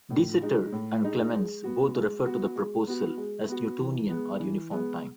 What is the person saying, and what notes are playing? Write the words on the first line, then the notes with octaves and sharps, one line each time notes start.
De Sitter and Clemence both referred to the proposal as 'Newtonian' or 'uniform' time.
A2
G#3 D#4
A2
G#3 D#4
G#3
B3 F#4
G#3
B3 F#4
G#3
B3 F#4
G#3
B3 F#4
E3
G#3 B3
E3
G#3 B3